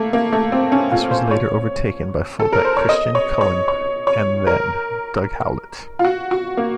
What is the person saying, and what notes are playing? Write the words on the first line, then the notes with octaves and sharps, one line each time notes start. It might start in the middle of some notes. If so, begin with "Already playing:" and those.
This was later overtaken by fullback Christian Cullen and then Doug Howlett.
Already playing: A3 A#3
A#3
A3
C4
C#4
F4
C5
C#5
A4
A#4
C5
C#5
D#5
C#5
C#5
C#5
C#5
A#4
F4
F#4
F#4
A#3